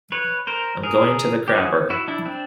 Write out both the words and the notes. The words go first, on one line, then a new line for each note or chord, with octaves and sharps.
"I'm going to the crapper".
B4 C#5
A#4 C5
G#4 A#4
G4
F#4 G#4
E4 F#4
D4 E4
C4 D4